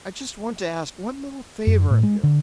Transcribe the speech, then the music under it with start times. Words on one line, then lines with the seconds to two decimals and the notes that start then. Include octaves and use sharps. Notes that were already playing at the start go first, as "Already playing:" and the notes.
"I just want to ask one little favor of you."
1.67 F#2
1.91 A2
2.03 G#3
2.24 D3